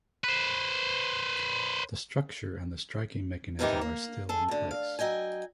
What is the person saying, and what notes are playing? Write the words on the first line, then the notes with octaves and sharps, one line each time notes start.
The structure and the striking mechanism are still in place.
B4 C5
G#2 C3 D#3 E3 D#4 G4
A#3
G#4 A4
D2 D3
F5
F#3 D#5 G5 G#5